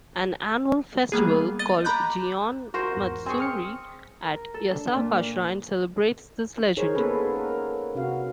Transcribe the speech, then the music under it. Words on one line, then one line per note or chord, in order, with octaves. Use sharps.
An annual festival, called "Gion Matsuri", at Yasaka Shrine celebrates this legend.
G3 A#3 B3 G#4
D#5 A6
A#5 B5 D6 F#6 G6
F#4 A#4 C5
E2 G#2
C4 G#4 G#5 C6 C#6
D#6 F6 C#7
A#4
A4
D4
A#2
D#4 G#4 A#4 C5 C#5
A#3 B3 C#4 G#4 A4 B4
A#4
C3 C#4 F#4 F5